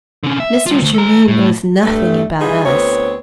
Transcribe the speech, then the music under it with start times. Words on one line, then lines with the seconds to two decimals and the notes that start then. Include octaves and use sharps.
Mr. Germaine knows nothing about us.
0.24 D3 C#4
0.40 E5
0.67 G3 F4
0.82 D2
0.94 A4 A#5
1.28 A2
1.84 G2 A3
2.41 E3 G3 D#4 F4 G#4
2.66 D2 B3 C4 C#5